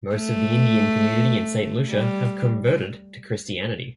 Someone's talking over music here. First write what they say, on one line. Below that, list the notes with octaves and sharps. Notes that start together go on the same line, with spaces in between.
Most of the Indian community in Saint Lucia have converted to Christianity.
A3
G3